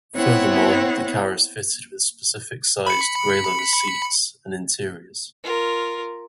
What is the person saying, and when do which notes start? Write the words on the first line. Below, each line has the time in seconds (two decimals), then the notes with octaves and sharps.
Furthermore, the car is fitted with specific sized grey leather seats and interiors.
0.16 B3 C4 E4 C#5 F#5
2.86 B5 C#7
5.43 F4 A#4